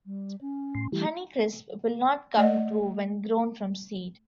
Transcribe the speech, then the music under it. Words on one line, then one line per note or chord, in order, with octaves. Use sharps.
Honeycrisp will not come true when grown from seed.
G3
C#4
A2 C6
E3 G3 A3
A3 D5 D#5 F#5